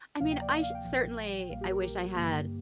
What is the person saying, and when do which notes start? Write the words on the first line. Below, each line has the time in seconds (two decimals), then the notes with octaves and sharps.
I mean, I sh certainly, I wish I had
0.20 D2 C3 F3 A#3 F5
0.31 G5
0.42 D5
0.52 F5
0.63 F5
0.75 G5
0.84 A#1 A#2 F3
1.50 A#1 A#2 G3 A#3 F5
1.61 G4
1.71 A#4
1.82 G4
2.16 G2 D3 A#3